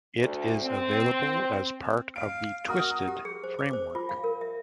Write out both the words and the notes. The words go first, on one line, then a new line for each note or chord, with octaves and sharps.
It is available as part of the Twisted framework.
D2
C4
F5 D7
F#4 A#4 D#6
G4
G#4
C5
D6
C5
F4
F5
A#4
E5